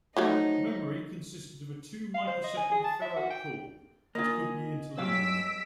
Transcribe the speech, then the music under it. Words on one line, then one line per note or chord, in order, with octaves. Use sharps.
Memory consisted of a two-microsecond ferrite core, which could be interleaved.
F3 F#3 A3 D#4
F5
C5
D#5
G#5
G#4
A5
E5
F#4
G5
A#3 F4 D#5 G#5
G2 F#3 F5 E6 B6 D7